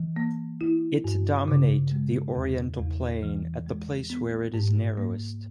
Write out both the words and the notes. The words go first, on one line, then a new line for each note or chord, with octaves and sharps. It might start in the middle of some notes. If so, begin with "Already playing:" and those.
It dominate the oriental plain at the place where it is narrowest.
Already playing: E3
A#3
E4
G2
C#3
G#3
E2
E2
E3
G#3
B3
G#2
A#3